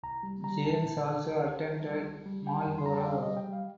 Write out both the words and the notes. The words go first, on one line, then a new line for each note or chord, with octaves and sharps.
James also attended Marlborough.
C2 A#5
G3
G3 A#5
C2 A5
A#2
C2
C2
C2
C2
G3
C2
G3
G3 G5
F2
C6
G3 A#5
A5
G5
G3 F5
G3 D#5
G5
G3 F5